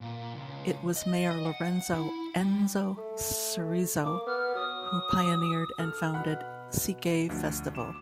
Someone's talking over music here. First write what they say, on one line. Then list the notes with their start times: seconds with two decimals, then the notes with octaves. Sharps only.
It was Mayor Lorenzo "Enzo" Cerezo who pioneered and founded "Sigay Festival".
0.01 A#2
0.35 C#2
0.96 D#5
1.31 D#5
1.45 F#5
1.69 F#5
1.95 E4
2.38 G3
2.97 A3
4.03 A#3 D6
4.26 B3 F6
4.55 F#3 D#6
5.79 A4 F6
6.14 B2 F#5 B5 F#6
7.29 D2 D3 F3
7.75 D6 E7